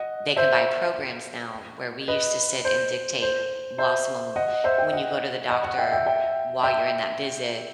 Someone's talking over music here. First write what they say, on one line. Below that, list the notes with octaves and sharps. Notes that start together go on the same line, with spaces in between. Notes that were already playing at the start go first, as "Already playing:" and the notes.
They can buy programs now where we used to sit and dictate while someone When you go to the doctor, while you're in that visit,
Already playing: D#5 F#5
C5 E5
B4 D#5
C5
C5
C5 E5
D#5 F#5
C5 E5
E5 G5
D#5 F#5
D#5 F#5
D#5 F#5
E5 G5
E5 G5
E5 G5
E5 G5